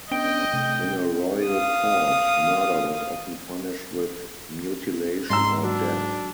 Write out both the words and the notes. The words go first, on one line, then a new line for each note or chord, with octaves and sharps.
In a royal court, murder was often punished with mutilation or death.
B3 C#4 D4 D#5 G5
C3 A3
F5 D#6
G#2 A#5 C6 E6
F#3 D4 F#4